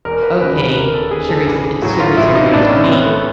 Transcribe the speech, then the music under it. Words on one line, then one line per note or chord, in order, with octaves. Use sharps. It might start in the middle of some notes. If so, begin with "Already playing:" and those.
"Okay, sugary ce sugary cereal's for me."
E1 A#4
B4
D#2 C#3 B4
B4
E1 A#4
A4
D#2 C#3 G#4
A4
A1 G#4
A2 F#3 F#4
F4
A1 E4
D#4
A2 F#3 D4
C#4
C4
B1 B3
A3